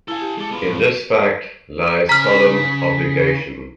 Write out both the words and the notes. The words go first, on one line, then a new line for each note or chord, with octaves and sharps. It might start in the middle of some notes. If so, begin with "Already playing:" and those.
In this fact lies solemn obligation.
E4 A4 F5 G#5
G4
G#3 G#4 A4 D6
B3 F4
A2 D#3
C#3 A#5 F6 B6